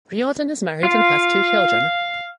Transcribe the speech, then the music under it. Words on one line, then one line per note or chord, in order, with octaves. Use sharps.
Riordan is married and has two children.
F4 F5